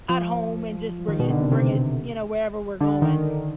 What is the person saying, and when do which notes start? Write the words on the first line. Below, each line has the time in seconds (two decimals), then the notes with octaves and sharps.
at home, and just bring it bring it, you know, wherever we're going.
0.09 F3
1.08 D#3
1.20 B2
1.30 D3
1.41 C3
1.52 C3
2.81 D3
3.02 D#3